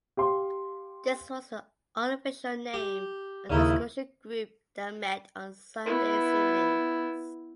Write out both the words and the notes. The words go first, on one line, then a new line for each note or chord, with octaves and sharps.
This was the unofficial name of the discussion group that met on Sundays evenings.
G4 F5 C6
G4
D#2 C#3 D#4 E4
B3 E4